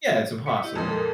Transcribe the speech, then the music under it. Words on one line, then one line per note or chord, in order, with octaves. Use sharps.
Yeah, it's impossible.
B6 C#7
E4 G4 D#5
F2 A#2 G#3 D#4 C6
A4 A#4